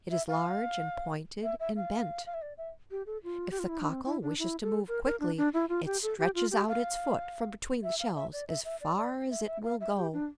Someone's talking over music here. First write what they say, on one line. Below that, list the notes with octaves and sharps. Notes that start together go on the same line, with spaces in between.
It is large and pointed, and bent: if the Cockle wishes to move quickly, it stretches out its foot from between the shells, as far as it will go.
E5
F5
E5
E5
F5
F5
E5
D5
E5
G4
A4
F4
G4
F4
E4
D4
C4
E4
D4
E4
A4
A#4
A#4
D4
D4
E4
F4
G4
A4
G4
F4
G4
F5
E5
F5
E5
D5
E5
E5
D5
D5
E5
E5
F5
E5
G4
D4